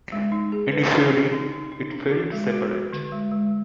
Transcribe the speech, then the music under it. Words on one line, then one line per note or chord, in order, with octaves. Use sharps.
Initially, it failed to separate.
G#3
D#4
G#4
B4
D#4
G#4
D#4
D#4
D#4
D4
F#4
G#3
F#4
F#4
D3
G#3
G#3